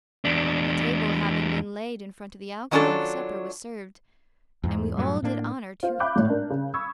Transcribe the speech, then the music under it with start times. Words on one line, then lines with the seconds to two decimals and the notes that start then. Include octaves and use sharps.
The table having been laid in front of the alcove, supper was served, and we all did honour to it.
0.25 E2 D4
2.71 D#3 F#3 C#4 D4 F4 A4
4.64 E2 G#2
4.97 F#2 A2 F#3 G3
5.22 A2 A#3 D4
5.83 F4 C5
6.00 E5 F5 B5 D6 F#6 G6
6.16 G#1 A2 C#5
6.30 D4 A#4
6.50 C#3
6.74 B5 C#6 D#6 E6 G#6